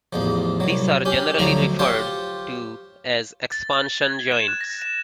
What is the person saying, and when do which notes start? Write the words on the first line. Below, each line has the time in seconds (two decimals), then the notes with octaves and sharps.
These are generally referred to as expansion joints.
0.13 A1 E2 F3
0.60 C2 F#3
1.05 C#4 G4
1.39 D2 F3 F#3 A3 A#5
1.79 F4 G4 C5 C#5 A5
3.52 A6
3.73 A6
4.02 G#6
4.32 E7
4.48 F#6
4.61 A#6
4.82 E7